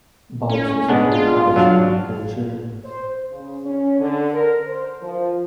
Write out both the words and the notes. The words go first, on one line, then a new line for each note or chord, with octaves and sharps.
Bouts was married twice and had four children.
C#4
G#3 B3 D4
F4
F#3 D4 F5
C5
C#3
C#4
D3
A#4
C5
F3